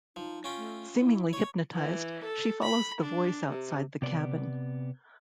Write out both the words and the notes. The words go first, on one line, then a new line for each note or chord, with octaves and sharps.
Seemingly hypnotized, she follows the voice outside the cabin.
F3 D#4
C#4 F4 G5
A3
E4
C#5
E3
A4
B5
D4
C3
C3 B3 D5